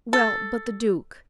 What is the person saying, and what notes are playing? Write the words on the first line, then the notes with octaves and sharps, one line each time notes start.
"Well, but the duke?"
A4